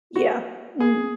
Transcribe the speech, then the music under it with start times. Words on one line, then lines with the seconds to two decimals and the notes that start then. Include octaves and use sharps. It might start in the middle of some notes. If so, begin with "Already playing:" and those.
Yeah. Mhm.
0.16 F#4
0.80 G#4